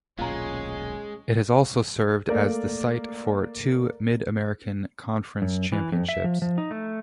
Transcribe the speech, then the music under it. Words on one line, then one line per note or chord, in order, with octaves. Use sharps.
It has also served as the site for two Mid-American Conference Championships.
D#1 B1 A#2 G#3 C#4 F4 A#5
A3 A#3 A#4 D5
F#2
E3
F2
E5
F3
F3
D#4
A3